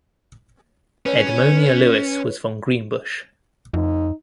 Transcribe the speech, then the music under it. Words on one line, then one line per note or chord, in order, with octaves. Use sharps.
Edmonia Lewis was from Greenbush.
C#4 B4 C#5
F2 D#4